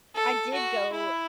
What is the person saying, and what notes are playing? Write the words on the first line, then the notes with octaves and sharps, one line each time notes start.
I did go
A4
F#4
E4